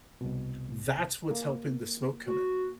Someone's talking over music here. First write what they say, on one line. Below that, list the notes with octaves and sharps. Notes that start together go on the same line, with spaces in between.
that's what's helping the smoke come in.
C2 B2
A#3
F#4